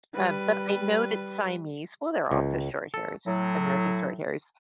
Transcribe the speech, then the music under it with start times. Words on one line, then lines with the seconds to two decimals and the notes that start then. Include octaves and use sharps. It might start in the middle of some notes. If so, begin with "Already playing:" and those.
um, but I know that Siamese- well, they're also shorthairs, American Shorthairs-
0.14 G3 B4
2.31 C#2
2.94 A4
3.26 A2 F#3